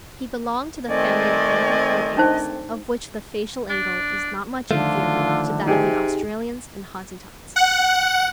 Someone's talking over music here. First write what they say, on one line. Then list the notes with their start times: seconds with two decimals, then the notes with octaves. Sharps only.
He belonged to the family of anthropoid apes, of which the facial angle is not much inferior to that of the Australians and Hottentots.
0.89 D#3 A3 C4 D5 D#5 G#5
2.17 D4 D#4 C5
3.70 D4
4.71 D3 D#3 F3 A3 F4
5.67 C3 D#4 G4 G#4
7.56 F#5